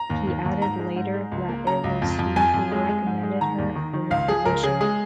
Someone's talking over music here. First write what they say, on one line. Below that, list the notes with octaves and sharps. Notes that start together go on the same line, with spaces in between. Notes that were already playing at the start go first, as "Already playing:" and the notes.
He added later that it was he who recommended her for the position.
Already playing: A#5
D#2
D#2
D#2
G#2 A#5
G#3
G#2
G#3
C#2
A#3
C#3 A#5
C#2
F2
F2
F2 G#5
F2
G#3
G#3
G#2
G#3
D#3 A#5
D#2
D#3
D#3
C#2 F5
F3 G#4
C#2 A#4
C#3 G#4
G#3 G#4